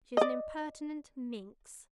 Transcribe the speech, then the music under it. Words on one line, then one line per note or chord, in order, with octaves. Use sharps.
"She is an impertinent--minx!"
D5 D#5